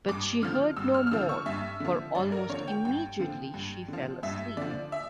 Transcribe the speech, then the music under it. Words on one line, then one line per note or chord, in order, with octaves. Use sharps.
But she heard no more, for almost immediately she fell asleep.
G2 D6
D3 F3 F6
G2 E6
F6
F6
D3 F3 E6
C#6
G2 E5
D3 F3
G2 D5
A#4
D3 F3 C#5
G5
G2 G5
D3 F3
G2
D3 F3
G2 E5
D3 F3 D5
E5